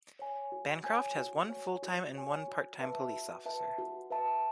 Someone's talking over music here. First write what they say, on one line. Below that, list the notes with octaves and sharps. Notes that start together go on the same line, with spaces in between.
Bancroft has one full-time and one part-time police officer.
C#5 G#5
F#4
C#5 G#5
F#4
C#5 G#5
F#4
C#5 G#5
F#4
B4 E5 A5
F#4
B4 E5 A5
F#4
B4 E5 A5